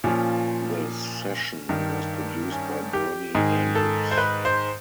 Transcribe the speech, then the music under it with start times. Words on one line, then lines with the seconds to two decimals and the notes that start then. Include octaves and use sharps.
The session was produced by Bernie Andrews.
0.04 A#2 F3 C#4
1.69 G2 D#3
2.52 C#4
2.93 G4
3.35 G#2 D#3 G#4
3.75 A4
4.11 C5
4.18 B4
4.45 C5